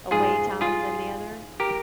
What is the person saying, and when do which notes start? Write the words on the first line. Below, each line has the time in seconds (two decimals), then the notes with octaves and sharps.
away time than the other?
0.11 G#2 F3 G#3 F4 G#4
0.61 F4 G#4
1.60 G4 A#4